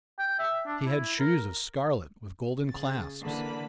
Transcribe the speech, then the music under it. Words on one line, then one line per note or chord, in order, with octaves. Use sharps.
He had shoes of scarlet with golden clasps.
G5
E5
D4
E4
A#4
C#3 A6
D3 E3 A#3 A5 B5